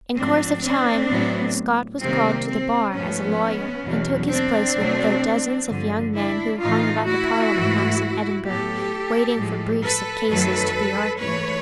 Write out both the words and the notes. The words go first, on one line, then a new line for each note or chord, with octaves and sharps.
In course of time Scott was called to the bar as a lawyer, and took his place with the dozens of young men who hung about the Parliament House in Edinburgh waiting for briefs of cases to be argued.
G#2 F3 A3 C4 D4
C4 D4
A2 F#3 B3
C3 D#3 G3 A#3 C4
C4
G#2 F3 A3 B3 C#4
E2 B2 F#3
C4 D4
B2 F#3 A3
G2 D3 F3
D4 E4
A2 E3 A3 D#4 F4
E4 F#4
G#2 E3 A3
A2 F#3 B3 G4 A4
A2 F3 G#3
A4 B4
F#2 D#3 F#3 A3 A4 B4
G#2 E3 A3 B4 C#5